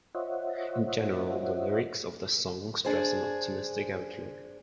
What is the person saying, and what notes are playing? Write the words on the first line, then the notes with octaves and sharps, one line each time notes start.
In general the lyrics of the song stress an optimistic outlook.
F4 C5 C#5 D#5 E5 F#5
D4 G#4 C5